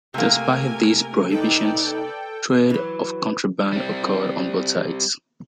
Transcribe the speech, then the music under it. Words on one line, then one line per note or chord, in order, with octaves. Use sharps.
Despite these prohibitions, trade of contraband occurred on both sides.
C3 A3 A#3 A#4 G#5
D#4 A4 B4 D5 G5
E3 F#3
G3 C4